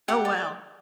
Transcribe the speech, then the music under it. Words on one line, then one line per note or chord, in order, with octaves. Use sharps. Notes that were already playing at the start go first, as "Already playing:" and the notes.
Oh, wow.
G4 F#5
D5